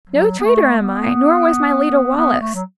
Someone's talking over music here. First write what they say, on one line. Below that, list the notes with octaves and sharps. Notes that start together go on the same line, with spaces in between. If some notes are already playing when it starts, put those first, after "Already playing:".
No traitor am I, nor was my leader Wallace.
F#3
B3
A3
B3
B3
A3
F#3